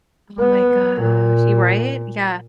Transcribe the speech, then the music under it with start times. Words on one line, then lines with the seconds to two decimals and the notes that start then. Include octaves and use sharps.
Oh my gosh y right? Yeah.
0.39 B3
1.02 A#2